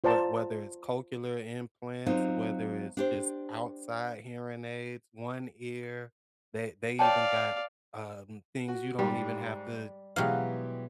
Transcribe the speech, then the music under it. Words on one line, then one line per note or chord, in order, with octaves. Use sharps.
whe whether it's cochlear implants, whether it's just outside hearing aids, One Ear, they they even got, um, things you don't even have to
F4 C5 D5 A5 A#5
F#3 C4 D#4 F4
D4 G4 C5
C#5 D5 F5 G5 A5
F#4
G#2 G3
B2 E3 F#3 G#3 G4 F5